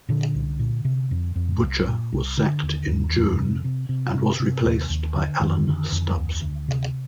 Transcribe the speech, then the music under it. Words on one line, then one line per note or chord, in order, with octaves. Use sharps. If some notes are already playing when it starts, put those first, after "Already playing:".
Butcher was sacked in June and was replaced by Alan Stubbs.
A#2 D3
C2
A#2
C3
F2
F2
C2
A#2
C2
D3
D#2
D#2
F2
C3
C3
C3
C3
C3
D#2
D#2
D3
F2 D#3
D3
F2
D2
D2
C3